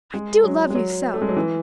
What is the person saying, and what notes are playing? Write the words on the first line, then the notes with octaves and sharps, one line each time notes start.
I do love you so!
G#3
F#3
G#3
F#3
A3
G#3
F#3
E3